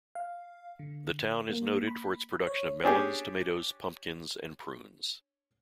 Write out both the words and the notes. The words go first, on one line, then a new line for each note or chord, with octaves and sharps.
The town is noted for its production of melons, tomatoes, pumpkins and prunes.
F5
D3
A#3
B5
C#5
C#4 D4 G4 G#4